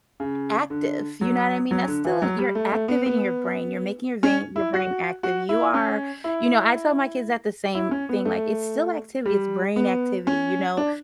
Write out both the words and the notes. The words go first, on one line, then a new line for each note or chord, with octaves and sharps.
active. You know what I mean? That's still you're activating your brain; you're making your vein your brain active. You are you know, I tell my kids that the same thing, like, "It's still activity; it's brain activity, you know?"
C#3
D3
F#3
F#3
D3
E3
F#3
G3
A3
A3
B3
B3
C#4
E4
F#4
F#4
E4
C#4
E4
E4
C#4
B3
A3
G3
B3
C#4
D4